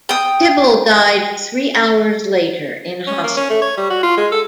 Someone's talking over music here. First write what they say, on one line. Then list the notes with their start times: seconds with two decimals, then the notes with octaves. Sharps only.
Tibble died three hours later in hospital.
0.09 G5 D#6
3.07 C#4
3.24 A#3
3.37 C#4
3.50 A3
3.62 C#5
3.77 G3
3.90 F#4
4.03 F4
4.17 G#3
4.32 A4